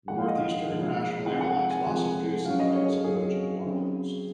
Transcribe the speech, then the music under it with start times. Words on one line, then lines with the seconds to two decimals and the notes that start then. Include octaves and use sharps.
Northeastern International Airlines had also previously tried this approach in New Orleans.
0.08 A#2 F3 G#3 D#4 F#5
0.19 F5
0.28 D#5
0.38 F5
0.68 A#2 F3 G#3 D#4
1.26 C3 F3 G#3 F#5
1.41 F#5
1.57 F#5
1.71 G#5
1.86 C3 F3 G#3 F#5
2.45 C#3 F#3 C#4 F5
2.60 D#5
2.76 C#5
2.89 G#4
3.04 C#3 F#3 C#4 G#4
3.64 C#3 F#3 C4 D#4